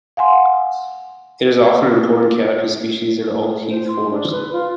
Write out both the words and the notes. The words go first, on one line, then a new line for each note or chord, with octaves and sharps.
It is often an important canopy species in an oak-heath forest.
F5 F#5 G#5 C6
C5
C6
D4
B4
F4